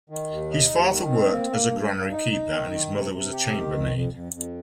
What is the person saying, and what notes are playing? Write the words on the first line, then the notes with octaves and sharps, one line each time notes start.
His father worked as a granary keeper and his mother was a chambermaid.
D#3
D#2
D#4
D#2
D#3
C4
A#3
A#3
G2
G2
D#4
D#4
D#3
D#3
C3
C3
G4
D#3
F2
F2
F2
F2